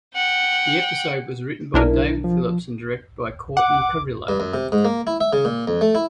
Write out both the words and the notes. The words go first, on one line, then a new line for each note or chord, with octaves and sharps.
The episode was written by David Phillips and directed by Cortney Carrillo.
F#5 G5
B1 D4 E4 A#4
F3
F#5 D6
G2
F#2
C3
G#2
A#3
E4
E5
C#3
A#2
F2
A3
E4